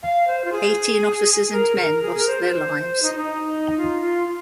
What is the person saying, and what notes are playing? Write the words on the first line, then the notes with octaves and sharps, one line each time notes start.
Eighteen officers and men lost their lives.
F5
C5
F4
G#4
A#4
A#4
G#4
A#4
C5
D#4
D#4
F4
F4